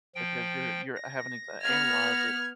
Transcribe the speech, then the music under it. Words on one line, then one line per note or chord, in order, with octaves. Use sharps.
because you're you're having it to analyze it
F3 G5
A#6
B3 F6 G#6